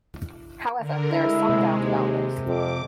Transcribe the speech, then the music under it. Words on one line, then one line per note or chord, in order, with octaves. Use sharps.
However, there is some doubt about this.
D3 A#4
G#3 E4
C3
D#2
F2 D6